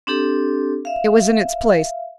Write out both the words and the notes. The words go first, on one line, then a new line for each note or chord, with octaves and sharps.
It was in its place.
C4 D4 G4 A4
E5 F5